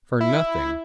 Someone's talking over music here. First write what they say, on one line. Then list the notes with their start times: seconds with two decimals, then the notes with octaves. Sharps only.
For nothing!
0.21 E4